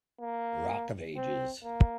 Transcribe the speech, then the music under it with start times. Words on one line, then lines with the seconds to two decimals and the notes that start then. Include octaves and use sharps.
Rock of ages.
0.20 A#3
1.17 C4
1.65 A#3